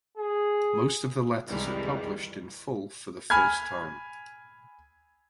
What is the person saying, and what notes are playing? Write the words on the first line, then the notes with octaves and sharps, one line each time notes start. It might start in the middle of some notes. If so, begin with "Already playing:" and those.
Most of the letters are published in full for the first time.
G#4
C2 F2 D#3 E3 G3 G#3
G#5 B5 F6 G#6